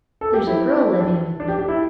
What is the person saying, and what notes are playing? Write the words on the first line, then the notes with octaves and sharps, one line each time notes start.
'There's a girl living with me.
A4
G4
E4
D4
D4
G4
G4
E4